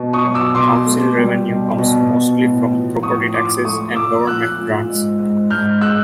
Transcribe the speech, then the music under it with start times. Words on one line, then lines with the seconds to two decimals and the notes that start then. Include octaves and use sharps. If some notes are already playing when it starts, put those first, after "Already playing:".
Council revenue comes mostly from property taxes and government grants.
Already playing: B2
0.13 C#6 D#6
0.25 F#3
0.34 D6 E6
0.55 B2 C6 D6
0.86 A3
1.17 G3
1.49 B2
1.79 B2
2.10 B2
2.41 A2
2.73 F3
3.03 A2 C#6 D#6
3.34 F3 C6 D6
3.64 A3 C#6 D#6
3.96 F3 D6 E6
4.27 A#2 E6 F#6
4.58 A#2
4.89 G#2
5.19 G#2
5.50 G#2 F6 G6
5.81 G#3 E6 F#6